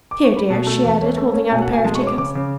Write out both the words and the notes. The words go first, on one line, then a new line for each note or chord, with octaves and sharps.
"Here, dear," she added, holding out a pair of teacups.
D6
C#6
B5
B2 A5
A3
E2
C#4
A3
C#4
B2 G#5
F#5
B2
G#5
G#3 A5
C#6
C#4
D6
C#3 D6
C#3